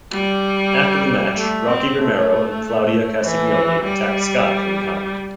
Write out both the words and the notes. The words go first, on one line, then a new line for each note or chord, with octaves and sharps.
After the match Rocky Romero and Claudio Castagnoli atttacked Sky from behind.
G3
A3
C4
A3
E3
G3